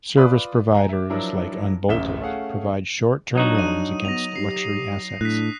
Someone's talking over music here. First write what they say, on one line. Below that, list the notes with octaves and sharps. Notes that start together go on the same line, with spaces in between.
Service providers like Unbolted provide short term loans against luxury assets.
F4 B4 D5 B5 D#6
G#5 A#5
E5 D6
F3 F#3 D4 E4 A#4
D1 A1 F#2 E5 E7 G7
A3 C#4 G#4 F5 F#5
F#3 D4 D#4 F#4
D#6 D#7
B3 A#6 F7
G4 C7
A2 D4 F#6 B6